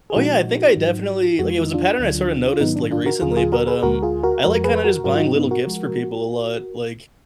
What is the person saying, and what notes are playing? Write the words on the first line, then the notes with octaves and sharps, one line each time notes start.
Oh yeah, I think I definitely like, it was a pattern I sorta noticed, like, recently, but, um, I like kinda just buying little gifts for people a lot. Like
G#4
A#2 F3 G#3 D#4 F#4
G#2 F#3
F2 F3 G#3 F#4
F4
D#4
D4 F4
D2 D3 F#3
F4
G#2 D#3 F#3 B3 D#4
D4
D4 F4
F#4 A#4
D#2 D3 F#3 F4 G#4
A#4
F4 G#4
F#4 A#4
G#4 B4
D2 D3 G#3 F#4 A#4
F4 G#4
F#4 A#4
F2 F3 G#3 F#4 A#4
A#4
G#4 B4
B4
F#4 A#4
G#2 F#3 F#4 A#4
F4
D#4 F#4
B3 D#4
F#4 A#4
F3 G#3